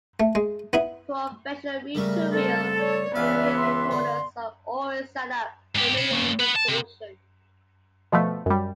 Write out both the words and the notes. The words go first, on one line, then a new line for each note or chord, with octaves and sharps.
Professional reel-to-reel and cassette recorders are always set up for minimal distortion.
A3
G#3
B3 E4 B5
C#3 G3 A3 A#4
C4 A4
C#5 D5
C#2 E3 B3 E5 F5
C6
D3
G#2 G4
C#5 B5
A#3 C#4
B4 F#5
A5
C3
B2 F3 A3
F#2 G3